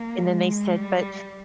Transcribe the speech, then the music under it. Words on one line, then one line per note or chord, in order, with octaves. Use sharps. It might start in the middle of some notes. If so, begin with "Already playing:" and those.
and then they said, "But
Already playing: A#3
G#3
G3